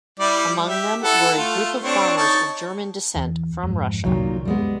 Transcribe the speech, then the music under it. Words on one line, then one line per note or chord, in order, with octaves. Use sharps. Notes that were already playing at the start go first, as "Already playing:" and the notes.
Among them were a group of farmers of German descent from Russia.
G3 E4 D5
G4 E5
E4 A4 F#5
A3 F4
C4 D4 C#5
D#4 C#5 A5
E2
F2 G#2
C2 A#2 D#3 F#3
G3 G#3 B3